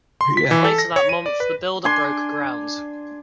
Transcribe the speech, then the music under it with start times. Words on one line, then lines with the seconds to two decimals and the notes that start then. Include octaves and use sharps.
Later that month, the builder broke ground.
0.21 C6
0.37 B6
0.51 E3
0.64 A4
0.78 A#6
0.96 C#5
1.09 D#7
1.26 D5
1.40 B4
1.84 D4 G#5 C6